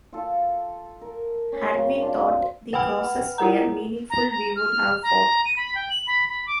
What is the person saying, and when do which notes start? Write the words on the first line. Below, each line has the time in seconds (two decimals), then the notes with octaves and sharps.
Had we thought the crosses were meaningful we would have fought.
0.13 F4 A4
1.01 A#4
1.52 C#4
1.73 F#2 C#3 C4 A#5
2.01 D4 F4
2.73 B4 F#5 G5 B5 F6
3.38 E4 F4 A#4 F#5 A#5
4.10 A#5
4.30 A#5
4.56 F6
5.03 A#5
5.45 D#7
5.56 B5
5.75 G5
5.90 F#7
6.07 B5
6.29 B5
6.47 D6